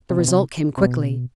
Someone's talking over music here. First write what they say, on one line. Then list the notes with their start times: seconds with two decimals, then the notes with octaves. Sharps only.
The result came quickly.
0.10 C3
0.19 B2
0.28 C3
0.78 C3
0.83 B2